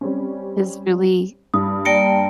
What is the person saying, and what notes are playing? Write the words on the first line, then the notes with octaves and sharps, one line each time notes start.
is really
G3 C4 C#4
G2 D#6
A#3 D5 G5 A5 A#6 C#7